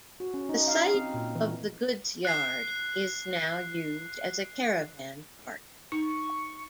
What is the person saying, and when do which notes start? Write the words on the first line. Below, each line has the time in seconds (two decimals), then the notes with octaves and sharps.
The site of the goods yard is now used as a caravan park.
0.20 F#4
0.34 C#4
0.49 D#4
0.68 F5
0.95 C4
1.14 A#2
1.35 E3
2.25 F#6 C7
5.92 D#4 C#6